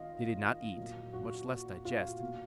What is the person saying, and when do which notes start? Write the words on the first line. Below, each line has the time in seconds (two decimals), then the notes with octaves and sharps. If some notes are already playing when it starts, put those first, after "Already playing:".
They did not eat, much less digest.
Already playing: D#3 F4 D#5 F5
0.77 A#2 F#3 A#3
1.13 F#4
1.85 F4
2.20 B2 A#3